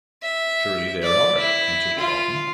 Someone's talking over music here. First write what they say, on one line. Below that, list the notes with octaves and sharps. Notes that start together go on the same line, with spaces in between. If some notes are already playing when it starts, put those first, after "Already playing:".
"Surely, there are," answered the Dolphin.
E5
D5
E4
F4